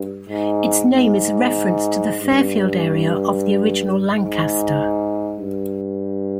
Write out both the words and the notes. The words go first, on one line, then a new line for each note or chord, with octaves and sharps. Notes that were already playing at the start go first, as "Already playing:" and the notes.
Its name is a reference to the Fairfield area of the original Lancaster.
Already playing: G2
G#2
G#2
G2
G#2
G2